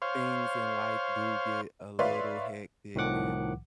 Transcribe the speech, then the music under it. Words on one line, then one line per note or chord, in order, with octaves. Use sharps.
things in life do get a little hectic and
C5 C#5 F5
B4 C#5 D5 E5 F5 C6
C2 A2 D#3 F3 F#5 D6